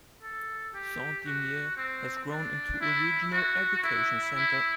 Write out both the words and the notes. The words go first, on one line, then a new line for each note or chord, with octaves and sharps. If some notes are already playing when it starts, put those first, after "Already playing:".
Saint-Imier has grown into a regional education center.
A4
G4
F#4
C4
D4
E4
F#4
E4
E4